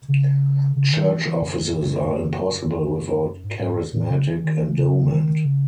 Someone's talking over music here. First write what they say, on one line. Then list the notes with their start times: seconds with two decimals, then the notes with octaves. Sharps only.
Church offices are impossible without charismatic endowment.
0.08 C#3
0.76 C#3
0.91 D#3
1.09 E3
1.25 E3
1.42 F#2
1.76 F#2
2.09 F#2
3.43 G#2
3.60 G#2
3.93 A2
4.10 C#3
4.27 E3
4.44 D#3
4.60 E3
4.78 C#3
5.11 D#3
5.44 C#3